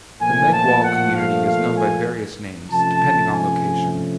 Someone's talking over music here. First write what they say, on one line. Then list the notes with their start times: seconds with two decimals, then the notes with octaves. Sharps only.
The Meghwal community is known by various names, depending on location.
0.20 A#2 F3 A3 G#5
0.52 A5
0.83 F#5
1.15 F5
1.46 F5
1.77 G#5
2.70 C3 F3 A3 C#4 A5
3.32 G#5